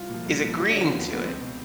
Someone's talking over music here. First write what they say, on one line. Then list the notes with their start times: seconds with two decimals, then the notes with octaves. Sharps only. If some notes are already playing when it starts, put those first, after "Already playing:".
is agreeing to it,
Already playing: C2 F4
0.10 A#2 F3
0.26 C2
0.42 A#2 F3
0.58 D#2 F#4
0.70 D4
0.75 D3 F3 C#4
0.91 D#2 B3
1.08 D3 F3 B3
1.25 C#2 C4
1.41 B2